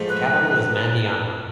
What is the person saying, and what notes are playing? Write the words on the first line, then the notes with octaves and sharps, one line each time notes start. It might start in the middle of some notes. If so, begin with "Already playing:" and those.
The capital is Mandiana.
Already playing: G#2 F3 A3
B4